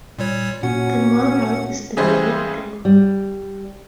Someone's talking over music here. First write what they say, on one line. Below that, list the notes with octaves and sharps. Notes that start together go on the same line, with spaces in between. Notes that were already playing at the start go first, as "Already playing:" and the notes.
The moral is the great thing.
A#2 G3 C#5
A#2 C#4 F#4 F#5
C#3 E3 G3 G#3 G#4 C5
G3